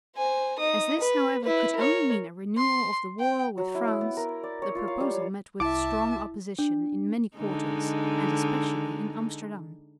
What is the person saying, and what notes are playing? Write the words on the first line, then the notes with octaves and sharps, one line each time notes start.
As this, however, could only mean a renewal of the war with France, the proposal met with strong opposition in many quarters, and especially in Amsterdam.
C5 G#5
D#4 D#6
B4
E4 B4
A#4 C#5
C6
G5
F#3
E4
E4
B3
A#4
D5
C#5
F4
F5
G3
C#5
C2 E4 E5 A5 D6
D4
D3 G#3 D#4